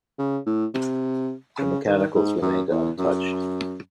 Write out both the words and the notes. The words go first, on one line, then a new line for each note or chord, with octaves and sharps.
The mechanicals remained untouched.
C#3
A2
C3
C#3
D#3
G#2
F#2
E2
F#2